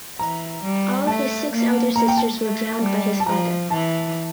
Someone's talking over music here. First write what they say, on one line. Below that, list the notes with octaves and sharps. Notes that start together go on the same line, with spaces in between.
All his six elder sisters were drowned by his father.
E3 A#5
G3
A3 A5
A#3
A#3 A#5
G5
A5
A3
G3
A5
F3 A#5
E3 A5